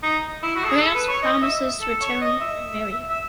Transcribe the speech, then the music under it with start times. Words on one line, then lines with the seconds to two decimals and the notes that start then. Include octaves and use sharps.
Paras promises to return and marry her.
0.03 D#4
0.43 E4
0.56 F#4
0.64 A4
0.69 G#4
0.82 A4
0.95 B4
1.08 C#5
1.22 D#5
1.42 E5
1.81 A4
2.01 C#5
2.21 D#5
2.41 E5
3.09 E5